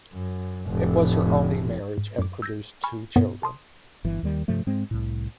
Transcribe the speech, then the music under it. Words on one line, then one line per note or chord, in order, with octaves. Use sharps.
It was her only marriage, and produced two children.
F#2
F1 A2
G#2
F#2 D6
E6 G6 G#6 A#6
G#5 B5 C#6 F6
G2 B2 B3 A#4 C#5
A5 C6 D#6
G1 E3
D#2 D#3 G3
G2 C3 F3 A3
G#2 G#3 C4
C2 A2